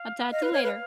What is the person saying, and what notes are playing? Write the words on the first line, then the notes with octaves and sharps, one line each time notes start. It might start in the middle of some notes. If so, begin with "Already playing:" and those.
I'll talk to you later.
Already playing: F5
D#5 F5
B4
C#5
B4